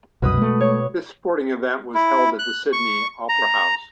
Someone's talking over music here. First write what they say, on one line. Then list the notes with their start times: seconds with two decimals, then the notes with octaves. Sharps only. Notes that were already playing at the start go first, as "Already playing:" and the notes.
This sporting event was held at the Sydney Opera House.
0.22 C2 F#2 B2 B4 D#6
0.37 G#3 A3
0.61 C#5
1.95 E4
2.39 F#6
2.72 C#6
3.29 A#5